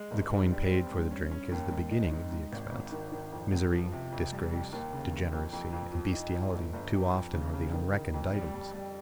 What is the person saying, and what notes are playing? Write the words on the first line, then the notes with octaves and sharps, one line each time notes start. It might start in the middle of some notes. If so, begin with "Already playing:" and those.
The coin paid for the drink is the beginning of the expense; misery, disgrace, degeneracy, and bestialty too often are the unreckoned items.
Already playing: G#3
G1
G2
G3
C4
G2
C#4
C#4
D#2
G#2
D#4
D#4
G#2
G#1
G#1
D#3
D#3
F2
C#2
F3
C3
F2
G3
F2
D#2
C#3
D#2
F2
F2
F2
F3
D#4
F3
G1
G1
F2
F2
C#3
C#3
D#3
D#3
F2
G3
G3
G3